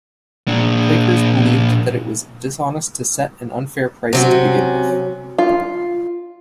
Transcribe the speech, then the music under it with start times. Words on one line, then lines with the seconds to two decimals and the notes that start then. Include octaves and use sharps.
Quakers believed that it was dishonest to set an unfair price to begin with.
0.48 A#2 D4
4.13 C3 F#3 C#4
5.38 F4